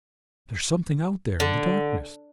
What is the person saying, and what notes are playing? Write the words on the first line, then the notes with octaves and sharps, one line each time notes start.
"There is something out there in the darkness."
D3